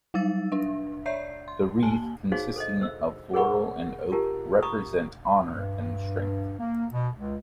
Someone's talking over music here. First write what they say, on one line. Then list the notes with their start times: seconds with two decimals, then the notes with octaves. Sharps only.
The wreath, consisting of laurel and oak represent honor and strength.
0.14 F#3 G3 D#4 F5 E6 A6
0.52 D4 E5
1.06 C#5 D5 E5 G6 C7
1.48 C6
1.83 A#3 G#5 A5
2.32 D#4 F#4 G#4 C5 C#5 F5
2.56 A4 C5 D#5
2.81 C5 E6
3.33 G#4 A#4 C#5 F#5 B5 C#6
4.12 F4 G4 A#4 A5 A#5
4.63 A#5 B5 C#6 D#6
5.53 G2
6.59 A#3
6.91 B2
7.17 C#2